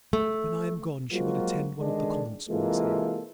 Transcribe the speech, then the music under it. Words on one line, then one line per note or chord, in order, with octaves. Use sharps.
When I am gone she will attend one of the convent schools here.
A3
F3 F#3 G#3 A#3 F4 F#4
D3 D#3 G#3 D4
C3 E3 G#3 A#3 F4 A4